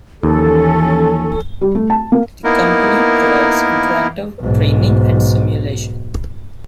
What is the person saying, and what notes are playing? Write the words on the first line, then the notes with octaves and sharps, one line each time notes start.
The company provides "Interactive Training and Simulation".
D#2 E3 F3 C#4 A4
G3
A3
A5
A#3
A#3 B3 D#4 E4 A#4
B1 G#2